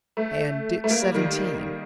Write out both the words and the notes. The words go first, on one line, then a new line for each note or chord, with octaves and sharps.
And--Dick's seventeen!
A3
A3
A#3
G3
D#3